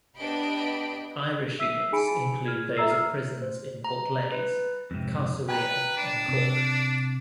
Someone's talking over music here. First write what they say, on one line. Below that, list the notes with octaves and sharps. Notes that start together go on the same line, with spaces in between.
Irish units include those at prisons in Portlaise, Castelrea, and Cork.
B3 D4 G4 D#5 B5 D7
E5 E6 B6 C7 D#7
D#4 G#4 G#5 B5 C#7 D7
F6 G#6
A4 E5 A#5 E6 C7
F6
C5
A#5
B4
F2 G#2 C3
B4 G5 G#5 A#5
D4
C3